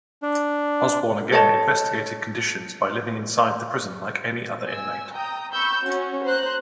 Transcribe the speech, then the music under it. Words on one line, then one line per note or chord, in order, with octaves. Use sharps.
Osborne again investigated conditions by living inside the prison like any other inmate.
D4
A4 C#5 D#5 A5
G#5 E6
G5 A#5 D#6
B5 C#6 E6 G6
C#4 F#4
C5 A#5 F#6